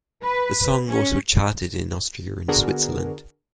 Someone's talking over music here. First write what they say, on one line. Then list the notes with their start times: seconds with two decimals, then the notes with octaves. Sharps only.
The song also charted in Austria and Switzerland.
0.23 B4
0.88 C#4
2.48 D3 B3 D4 F#4 G#4 A#4